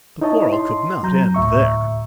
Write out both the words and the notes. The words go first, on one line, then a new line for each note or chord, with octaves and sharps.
The quarrel could not end there.
D#4 E4 C#5 D#5 A5
C6
F#3 A#5 G6
D2 A2 E5 C#6